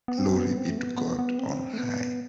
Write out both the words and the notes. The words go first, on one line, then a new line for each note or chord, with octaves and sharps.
Glory be to God on high.
B3
C4
B3
C4
A3
B3
B3
B3
C4
A3
B3